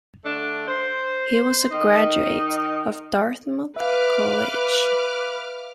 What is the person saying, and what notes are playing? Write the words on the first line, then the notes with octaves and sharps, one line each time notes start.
He was a graduate of Dartmouth College.
D3 A3 D4
C5
D#3 D#4
B4 E5 F5 D6 F6